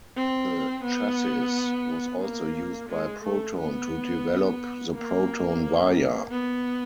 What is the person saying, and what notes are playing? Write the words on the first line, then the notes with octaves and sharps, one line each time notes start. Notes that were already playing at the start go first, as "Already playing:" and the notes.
The chassis was also used by Proton to develop the Proton Waja.
C4
B3
A#3
G#3
A3
B3
A#3
B3